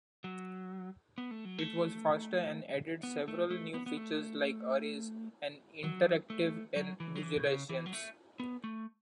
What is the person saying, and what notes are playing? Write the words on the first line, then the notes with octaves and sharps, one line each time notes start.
It was faster and added several new features like arrays and interactivity in visualizations.
F#3
B3
A3
F#3
A3
B3
A3
A3
B3
B3
A3
F#3
A3
F#3
E3
F#3
E3
B2
C#3
E3
F#3
A3
B3
A3